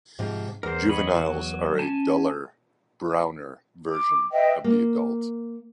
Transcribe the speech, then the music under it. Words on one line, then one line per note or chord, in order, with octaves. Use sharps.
Juveniles are a duller, browner version of the adult.
G#2 C3 F3
E2 A#4 C5
C#5 D#5 B5
F#3 F#4
C#4 G#5 A5
D6
B4 D#5 E5 G5
A#3